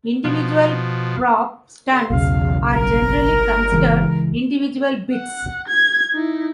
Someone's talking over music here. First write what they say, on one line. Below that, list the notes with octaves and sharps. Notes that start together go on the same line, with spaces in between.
Individual prop stunts are generally considered individual bits.
B2 F3
G2 D3 C6
B1 E2 A2 C#3 F5
G1 A#4
C#2 E3 G#3
F#5
G#6
D#4 E4